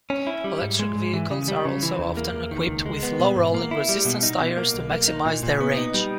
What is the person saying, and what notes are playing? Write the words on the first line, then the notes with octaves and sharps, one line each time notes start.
Electric vehicles are also often equipped with low-rolling resistance tires to maximize their range.
C#4
E4
G3
G#2
G#3
G#2
E3
C#3
G3
C#3
E3
E2
A#3
E2
D#3
C#2
G#3
B3
B2
G#2
A#3
E4
G3
B2
D#4
B2
A#3
B1
A#3
D#4
A#2
A#2
B3
D#4
G3